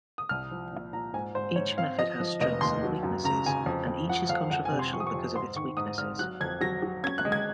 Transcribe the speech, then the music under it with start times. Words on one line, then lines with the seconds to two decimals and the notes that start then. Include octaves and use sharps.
Each method has strengths and weaknesses and each is controversial because of its weaknesses.
0.18 D#6
0.29 C2 F6
0.51 F3
0.72 A#2
0.93 A#2 A#5
1.14 G#2 G#5
1.35 G#2 C5
1.56 G#2 C#5
1.77 C4 F5
1.98 F3 D#5
2.20 F3
2.40 F1 D#5
2.61 D#2 C6
2.83 F#3
3.03 F#2
3.24 C#3 A#5
3.46 C#3 G#5
3.66 F2
3.87 F2
4.09 F3 F#5
4.29 F2 F5
4.50 F2 F#5
4.65 G#5
4.72 C3
4.79 C6
4.92 F3 C#6
5.00 D#6
5.07 C#6
5.14 F2
5.35 G#2 C6
5.56 D#3 C#6
5.77 G#2 D#6
5.98 G#1 F6
6.19 F#3 F#6
6.41 F2 G#6
6.61 F#3 A#6
6.82 F#3
7.03 C#4 G#6
7.18 F#6
7.25 G#3
7.32 G#6